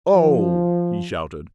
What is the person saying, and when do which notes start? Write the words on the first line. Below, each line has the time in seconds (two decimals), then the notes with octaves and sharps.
"Oh!" he shouted.
0.14 F3